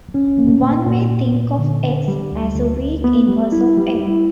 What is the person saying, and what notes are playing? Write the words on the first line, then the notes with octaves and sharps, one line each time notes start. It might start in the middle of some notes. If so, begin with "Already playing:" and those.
One may think of "x" as a "weak inverse" of "a".
C#4
A#3
A#2
A#2
A#2
A#2
D3
D3
G3
D2
D2
D2
B3
G3
E4
G3
E4